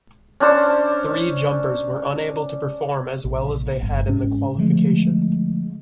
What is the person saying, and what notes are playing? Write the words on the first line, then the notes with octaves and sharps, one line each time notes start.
Three jumpers were unable to perform as well as they had in the qualification.
C#4 D4 C5 C#5
A#1
G1
G#2 C#4
D3 F3 G#3 A3